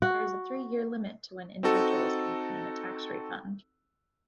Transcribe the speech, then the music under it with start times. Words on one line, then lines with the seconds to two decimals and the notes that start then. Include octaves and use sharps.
There is a three-year limit to when individuals can claim a tax refund.
0.02 F#4
1.63 C4 D#4 F#4 A4